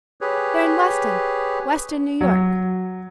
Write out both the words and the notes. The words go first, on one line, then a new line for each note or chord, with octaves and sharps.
"They're in Weston--Weston, New York."
G4 G#4 B4 C#5
F#3